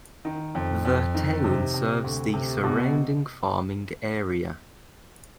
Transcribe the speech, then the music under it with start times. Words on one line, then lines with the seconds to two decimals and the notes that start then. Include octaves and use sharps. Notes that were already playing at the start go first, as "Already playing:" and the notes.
The town serves the surrounding farming area.
0.25 D#3
0.55 F2
0.85 F2
1.15 D#3
1.44 C3
1.74 C3
2.04 D2
2.34 C3
2.64 B2